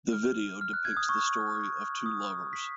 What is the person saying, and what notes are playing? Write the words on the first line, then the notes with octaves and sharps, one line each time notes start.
The video depicts the story of two lovers.
F6
F6
F#6
G#6
D#6
C#6
D#6
B6